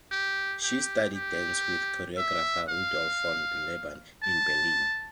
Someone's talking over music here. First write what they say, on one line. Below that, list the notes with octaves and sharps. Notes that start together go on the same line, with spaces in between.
She studied dance with choreographer Rudolf von Laban in Berlin.
G4
G4
G4
E5
F5
A5